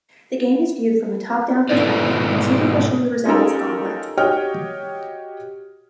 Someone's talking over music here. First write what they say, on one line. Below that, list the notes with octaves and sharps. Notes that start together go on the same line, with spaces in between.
The game is viewed from top-down perspective and superficially resembles "Gauntlet".
G#2 B2 E4 A4 B4 D5
C#4 D#4 F4 G4 A4 A#4
F#4 G4 C#5 D#5 G5 F6